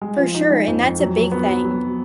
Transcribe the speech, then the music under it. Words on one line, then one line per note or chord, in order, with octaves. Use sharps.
For sure, and that's a big thing.
G#3
F3
D#4
G#3
F2
F2
F#3
F#3
B3
F#3
F#3